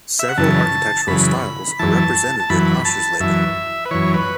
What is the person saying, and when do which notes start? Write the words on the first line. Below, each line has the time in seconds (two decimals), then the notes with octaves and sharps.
Several architectural styles are represented in Aschersleben.
0.19 E5
0.29 F#5
0.38 F#2 C#3 E3 A5
1.08 F#2 C#3 E3 B5
1.79 F#2 E3 A5
2.40 A5
2.50 F#2 E3 B5
2.85 A5
3.20 F#2 E3 E5
3.85 B4
3.91 F#2 E3 C#5
4.14 B4